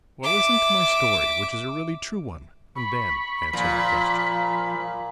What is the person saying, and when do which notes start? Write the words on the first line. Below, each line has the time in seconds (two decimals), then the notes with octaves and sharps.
Well, listen to my story, which is a really true one, and then answer my question.
0.23 E5 D6
2.76 B5 C#6
3.53 A#2 F3